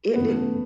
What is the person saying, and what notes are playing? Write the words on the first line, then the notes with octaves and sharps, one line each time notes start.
It it
F#1 F#2 E3 B3
A3
E3